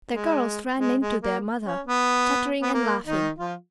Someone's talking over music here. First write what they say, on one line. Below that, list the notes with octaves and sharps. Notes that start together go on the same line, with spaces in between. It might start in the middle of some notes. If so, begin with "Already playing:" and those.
The girls ran in to their mother chattering and laughing.
G#3
G#3
G#3
A#3
C#4
B3
B3
A#3
D#3 D#4
F3 F4